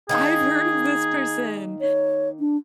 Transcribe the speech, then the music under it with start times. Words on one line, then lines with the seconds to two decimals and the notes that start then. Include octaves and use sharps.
I've heard of this person.
0.09 D#3 A#3 D#4 G#4
1.81 C#5
2.40 D4